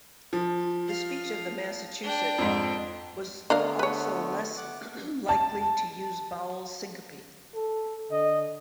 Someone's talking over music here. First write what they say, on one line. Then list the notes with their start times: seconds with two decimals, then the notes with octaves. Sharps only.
The speech of the Massachusett was also less likely to use vowel syncope.
0.33 F3
0.88 F5
2.03 D4 G5
2.38 F2 G#2
3.50 D3 A3 B3 D4 A#4 F5
3.79 B4 C#5
4.58 F#5 D6 F#6
5.29 A5
7.55 A4
8.11 D3 D#5